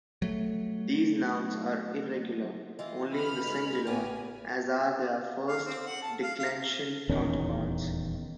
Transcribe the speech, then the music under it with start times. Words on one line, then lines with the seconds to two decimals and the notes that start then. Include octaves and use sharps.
These nouns are irregular only in the singular, as are their first-declension counterparts.
0.22 F#3 A3
2.79 E3 F4 D#5
3.12 B4 B5 F6
3.47 G#3 D#4
3.87 A1 B3 G4 G#5
5.49 F5
5.66 C4
5.86 F#5
6.02 A5
6.22 F5
6.39 F5
7.09 D#1 E2 D#3 C#4